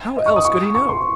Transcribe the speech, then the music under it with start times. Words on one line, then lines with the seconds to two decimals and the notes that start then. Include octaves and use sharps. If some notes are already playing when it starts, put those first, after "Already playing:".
How else could he know?
0.17 D#5
0.26 C#6
0.36 D#6
0.45 C#6
0.75 C#6
0.89 C6